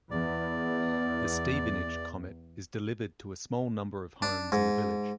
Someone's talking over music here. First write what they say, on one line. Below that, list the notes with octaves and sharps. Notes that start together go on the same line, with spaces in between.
"The Stevenage Comet" is delivered to a small number of homes in the village.
E2 D5
D4
G#2